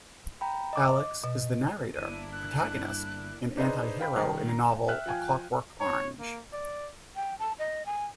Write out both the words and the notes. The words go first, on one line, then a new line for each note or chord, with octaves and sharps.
Alex is the narrator, protagonist and antihero in the novel "A Clockwork Orange".
G5 A#5 B5
D#5 D6
B2 D#5
G1 A#3 D4 E4 D#7
F#6
D4 D#4 G#4 B4 C5 D#5
F5 G5 B5
C2 D#3
A#5
E5 G5 F6 F#6
F3 F5 G5 G#5
C#5
A#3
D5
G5
A5
D#5
G#5